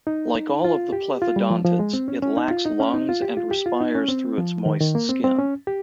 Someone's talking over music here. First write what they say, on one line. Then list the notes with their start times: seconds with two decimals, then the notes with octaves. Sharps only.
Like all of the plethodontids, it lacks lungs and respires through its moist skin.
0.07 D#4
0.64 F4
0.92 G4
1.22 F4
1.36 G3
1.50 F3
1.64 F3
1.79 G#3
1.94 C4
2.08 C#4
2.22 C#4
2.37 D#4
2.51 F4
2.65 D#4
2.80 C#4
2.94 D#4
3.09 F4
3.22 G4
3.37 F4
3.51 G4
3.66 F4
3.80 D#4
3.95 C#4
4.09 C4
4.38 F3
4.66 D#3
4.80 D#3
4.95 A#3
5.09 C4
5.24 C4
5.39 C#4
5.67 G4